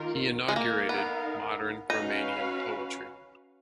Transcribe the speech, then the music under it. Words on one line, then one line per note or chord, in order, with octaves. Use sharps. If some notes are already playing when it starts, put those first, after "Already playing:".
He inaugurated modern Romanian poetry.
Already playing: D#3 A#3 F4 A#4
G#3
A#3 D#4 A#4 F5
B3
C#4 D#4 F#4 B4 F5